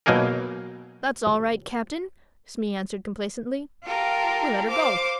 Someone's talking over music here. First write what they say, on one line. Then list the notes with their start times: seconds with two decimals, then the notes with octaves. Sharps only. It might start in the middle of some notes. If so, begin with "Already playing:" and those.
"That is all right, captain," Smee answered complacently; "we let her go."
0.06 B2 F#3 A#3 D#4 G#4 A#4
3.84 F4 G4 A4 A#4
4.68 C5 F5 D6